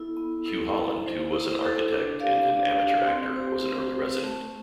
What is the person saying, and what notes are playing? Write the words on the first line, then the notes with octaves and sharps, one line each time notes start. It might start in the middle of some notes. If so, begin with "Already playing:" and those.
Hugh Holland, who was an architect and an amateur actor, was an early resident.
Already playing: B3 E4 A4
B3
E4 A4
E4
A4 C5
E4
A4 C5
D4
G4 D5 F5
D4
G4 D5 F5
C4
G4 C5
C4
G4 C5
A3